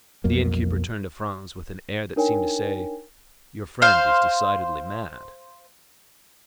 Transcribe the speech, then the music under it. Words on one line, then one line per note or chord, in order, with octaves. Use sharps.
The inn-keeper turned to Franz with an air that seemed to say, "Your friend is decidedly mad."
B1 F2 F#3 A#3
D4 D#4 A#4 C#5 G5 G#5
C5 F5